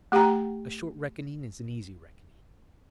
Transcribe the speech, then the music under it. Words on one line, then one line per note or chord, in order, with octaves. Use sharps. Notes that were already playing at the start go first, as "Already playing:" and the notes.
A short reckoning is an easy reckoning.
A3 G4 F#5 G5 A#5